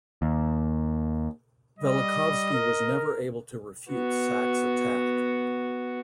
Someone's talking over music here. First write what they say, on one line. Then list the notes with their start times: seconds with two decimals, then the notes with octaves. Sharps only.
Velikovsky was never able to refute Sachs' attack.
0.22 D#2
1.79 G3 D#5
2.53 A#4
3.90 B3 F#4